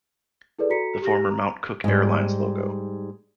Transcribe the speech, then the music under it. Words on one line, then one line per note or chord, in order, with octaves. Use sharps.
The former Mount Cook Airlines logo.
E4 G#4 A4 B4 D5
F#4 A4 A#5 B6 C#7
G4 A#6
A#5
G#2 G3